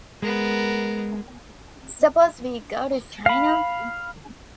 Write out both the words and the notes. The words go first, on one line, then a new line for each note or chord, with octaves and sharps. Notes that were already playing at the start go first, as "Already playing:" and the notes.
Suppose we go to China..
G#3 B3 A#4
F5 B5